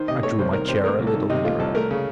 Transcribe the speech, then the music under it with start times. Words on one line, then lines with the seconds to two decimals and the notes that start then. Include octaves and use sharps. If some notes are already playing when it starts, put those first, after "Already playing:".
I drew my chair a little nearer.
Already playing: D#3 C5
0.08 C3 D#5
0.23 A3 C#5
0.39 C2 C5
0.53 D#3 A#4
0.68 C3 C5
0.84 A3 A#4
0.99 C2
1.07 A4
1.14 D#3
1.30 C3 D#4
1.44 A3 F4
1.60 C2 A4
1.75 A3 A#4
1.91 C#3